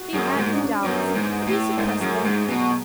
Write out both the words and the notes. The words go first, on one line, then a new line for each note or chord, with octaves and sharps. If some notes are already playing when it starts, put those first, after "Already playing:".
He had his doubts, but he suppressed them.
Already playing: F#4
F#2 G#4
G#2 F#4
D4
C#4
F#2 B3
G#2
A2
G#2 A3
F#2 G#3
G#2 G#3
B2 F#3